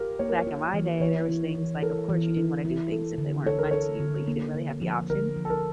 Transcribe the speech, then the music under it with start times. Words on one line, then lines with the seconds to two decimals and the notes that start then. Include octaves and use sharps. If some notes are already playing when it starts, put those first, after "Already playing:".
Back in my day, there was things like, of course, you didn't wanna do things if they weren't fun to you, but you didn't really have the option,
Already playing: F4 G4 A#4
0.19 A#3 C#5
0.29 A#4
0.39 C#5
0.47 F4
0.74 E3
1.00 E3 C#5
1.29 E4
1.55 E3
1.82 A4 A#4
2.09 E3
2.37 E4
2.65 E4
2.92 A4
3.18 D3
3.46 A4 C#5
3.59 A#4
3.71 A4 C#5
4.00 D3
4.27 A#3
4.54 D3
4.81 F3
5.09 D3 A#4
5.37 F3
5.45 A4
5.50 A#4